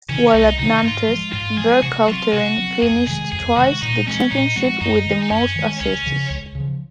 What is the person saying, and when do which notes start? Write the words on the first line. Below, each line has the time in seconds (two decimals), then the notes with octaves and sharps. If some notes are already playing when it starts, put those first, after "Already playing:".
While at Nantes, Vercauteren finished twice the championship with the most assists.
0.09 C3 D#3 C#4
0.27 C#4
0.34 C2 D#4
0.59 C3 D#3 D#4
0.78 D#4
0.83 G#2 F4
1.08 F3 G#3
1.33 G#2 F4
1.58 F3 G#3 G#4
1.82 C3 F#4
2.07 F#3 C4 F4
2.32 C3 F#4
2.58 F#3 C4
2.82 F2 G#4
3.07 C3 D#3 G#3 G#4
3.32 F2 G#4
3.57 C3 D#3 G#3 F#4
3.81 A#2 D#4
4.07 F3 G#3 C4 C#4
4.31 A#2 D#4
4.56 F3 G#3 C4 F#4
4.81 F#2 D#4
5.06 D#3 G#3
5.23 D#4
5.31 F#2 C#4
5.56 D#3 G#3
5.81 C#2 C#4
6.06 C#3 F3
6.30 C#2
6.55 C#3 F3